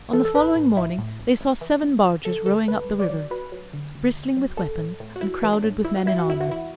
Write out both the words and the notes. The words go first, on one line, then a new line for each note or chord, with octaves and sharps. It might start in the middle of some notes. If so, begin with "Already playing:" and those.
On the following morning, they saw seven barges rowing up the river, bristling with weapons, and crowded with men in armor.
Already playing: A1
E3 A4
A4
A1 B4
A2
A1 E4
A2
A1
A1
E3
A1
D2
D2 A4
D2 A4
D2 B4
D2
D5
F#3
F#3 B4
F#3
D3
D2
D2
F#3
A1 A4
A2
A2
F#4
A1 E4
E3
D4
A2
E3 E4
F#4
E2 E4
F#4
E2 E4
F#4
E3 E4